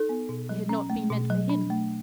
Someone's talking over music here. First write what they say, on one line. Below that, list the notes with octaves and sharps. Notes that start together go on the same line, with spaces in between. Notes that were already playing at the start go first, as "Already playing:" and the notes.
They had not been meant for him.
Already playing: D#4 A4
B3
B2
F#3
C#4
A3
B2
F#3
D4
A3